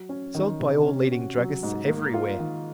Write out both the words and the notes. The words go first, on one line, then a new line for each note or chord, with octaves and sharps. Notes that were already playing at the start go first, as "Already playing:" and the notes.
Sold by all leading druggists everywhere.
Already playing: F#3
C#4
D#3
C3
C#4
F#4
F#3
G#2
A#3
F4
D#3